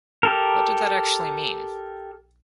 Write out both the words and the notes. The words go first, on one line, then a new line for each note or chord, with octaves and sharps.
What did that actually mean?
G4 A4 A#4